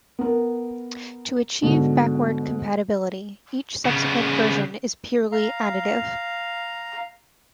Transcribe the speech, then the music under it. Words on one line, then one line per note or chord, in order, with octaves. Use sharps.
To achieve backward compatibility, each subsequent version is purely additive.
B3 A#4
G#2 B2 D3
C#3 B3
F5 A#5